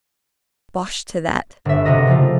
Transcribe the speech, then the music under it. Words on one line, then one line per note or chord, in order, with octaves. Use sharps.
"Bosh to that!"
G1 E5
C3 F#4 A#4 D#5
C#3 F3 A3 F4